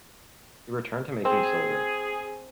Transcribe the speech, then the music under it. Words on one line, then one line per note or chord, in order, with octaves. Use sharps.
He returned to making silver.
C4 G#4